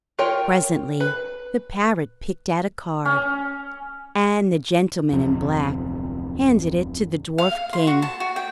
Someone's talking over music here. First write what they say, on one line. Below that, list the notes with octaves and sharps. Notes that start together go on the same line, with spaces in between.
Presently the parrot picked out a card, and the gentleman in black handed it to the Dwarf-King.
F4 A#4 C#5 G5
B4
C#4
D1 F2 C3
F5
F5
C6
F#4
A5
F#4
G5